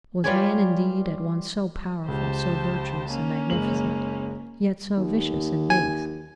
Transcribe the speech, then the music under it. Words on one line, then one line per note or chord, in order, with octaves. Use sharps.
Was man, indeed, at once so powerful, so virtuous and magnificent, yet so vicious and base?
G3 F4 B4 C#5 D5 G#5
C#2 G4 C5 A5
A#3 C#4
F#1 G#3 F#7
D#2
G#5